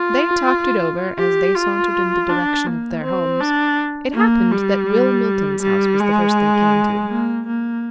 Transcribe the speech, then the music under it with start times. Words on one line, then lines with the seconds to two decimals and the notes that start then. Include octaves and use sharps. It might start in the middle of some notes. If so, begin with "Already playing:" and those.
They talked it over as they sauntered in the direction of their homes. It happened that Will Milton's house was the first they came to.
Already playing: F4
1.18 G4
1.55 F4
2.29 D4
2.67 A#3
3.03 C4
3.41 D4
4.14 A#3
4.51 G3
5.62 G3
5.99 G#3
7.10 A#3
7.47 A#3